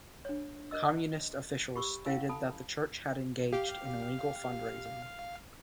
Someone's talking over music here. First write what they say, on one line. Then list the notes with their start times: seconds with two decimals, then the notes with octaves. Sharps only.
Communist officials stated that the church had engaged in illegal fundraising.
0.25 D4 C#5
0.71 A#4 D#5 E6
1.76 G4 B5 C#6 E6
2.06 C#4 E4 F5 G#5 E6
2.29 A4 A5 B5 D#6
3.52 G4 F5